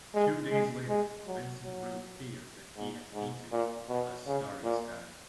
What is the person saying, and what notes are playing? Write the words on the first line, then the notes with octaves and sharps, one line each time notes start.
Two days later, Vincent wrote Theo that he had painted "a starry sky".
G#3
G#3
G#3
F#3
F#3
G#2
G#2
A#2
B2
C#3
A#2